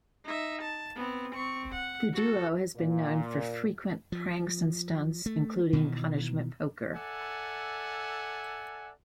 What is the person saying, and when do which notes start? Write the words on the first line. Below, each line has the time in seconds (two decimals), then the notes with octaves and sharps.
The duo has been known for frequent pranks and stunts, including Punishment Poker.
0.24 D#4 E5
0.61 A5
0.96 B3 C4
1.35 C4 C#6
1.73 F#5
2.13 F#4 A4
2.76 A#2
4.12 F3
5.26 A3
5.73 B2 D#3 E3
6.94 A4 D5 E5 F#5 G#5